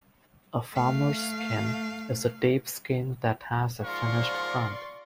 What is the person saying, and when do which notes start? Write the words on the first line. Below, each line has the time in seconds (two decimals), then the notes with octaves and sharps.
A "farmer's sink" is a deep sink that has a finished front.
0.73 A3 F5
3.84 G#2 F3 F4 A#4 D5 C6 C#6